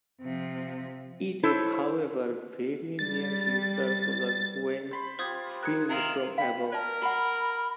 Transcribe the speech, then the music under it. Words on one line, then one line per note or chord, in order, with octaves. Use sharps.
It is, however, very nearly circular when seen from above.
C3 F3
E4 A4 C5 C#5
G3 A6
C5 B5 C6
F4 G4 C5 D#6 G#6
G#4 A#4 F#6 G#6 C#7
D#3 E4 F4 A#4
F5 G5 B5
A#4 D5 A5
F#4 F#5 B5